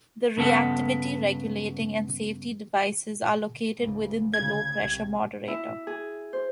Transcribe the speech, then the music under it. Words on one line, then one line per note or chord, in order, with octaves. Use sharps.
The reactivity regulating and safety devices are located within the low-pressure moderator.
G2 C#3 B3 A4 F#5
C#2 G#2
D2 C#3 G#6
C2
E4
G#4
C5